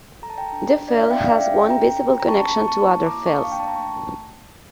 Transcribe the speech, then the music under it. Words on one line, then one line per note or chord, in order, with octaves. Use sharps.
The fell has one visible connection to other fells.
A4 A#5
A5
G5 A#5
D4
D4
D5
E5
F5
E4 E5 G5
D5 F5
C#4 E5 G5
A4 G5 A#5
C#4
A#5
C#4 A5 C#6
A5 C#6
A#3
A5 C#6
E4
A#5 D6
A#3
A5 C#6
F5
D4
G5
A5
A#5
A3 A5 C#6